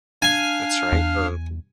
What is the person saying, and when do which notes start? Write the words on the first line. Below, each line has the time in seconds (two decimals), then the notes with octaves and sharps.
That's right, of
0.22 D4 F5 G#5 F6
0.92 E2